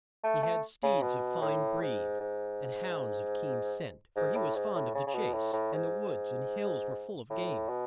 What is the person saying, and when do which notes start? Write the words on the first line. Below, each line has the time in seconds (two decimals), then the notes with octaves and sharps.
He had steeds of fine breed, and hounds of keen scent, for he was fond of the chase, and the woods and hills were full of game.
0.24 A3
0.43 A3
0.83 C#3
1.02 B2
1.41 A2
1.81 G#2
2.20 G#2
4.16 G#2
4.35 A2
4.55 G#2
4.75 A2
4.95 C#3
5.07 C#3
5.14 B2
5.34 A2
5.53 A2
5.73 G#2
7.30 A2
7.69 B2